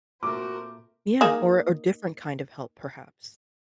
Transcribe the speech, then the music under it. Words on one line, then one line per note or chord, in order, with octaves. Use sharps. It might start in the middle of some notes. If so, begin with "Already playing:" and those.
Yeah. Or or different kind of help perhaps.
A#2 A3 C4 F#4 A#4 D6
A#3 D#4 G#4